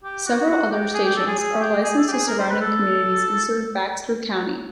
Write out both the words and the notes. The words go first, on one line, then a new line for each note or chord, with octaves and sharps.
Several other stations are licensed to surrounding communities and serve Baxter County.
G4
F#4
F#4
G4
G#4
G4
A4
G#4
G#4
G4
G4
G#4
A4
G4
G#4
A#4
C5
B4
A4